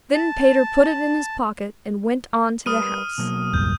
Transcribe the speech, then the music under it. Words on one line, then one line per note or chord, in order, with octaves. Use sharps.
Then Peter put it in his pocket and went on to the house.
A5
G3 A#4 B4 D#6 F6 D#7
B2 F#3 A#3
E1 C#2 G2 G6